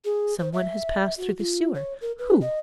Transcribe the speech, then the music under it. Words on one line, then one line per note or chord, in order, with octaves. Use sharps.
Some one has passed through the sewer. Who?
G#4
C5
E5
F#4
F4
C#5
A#4
B4
D#5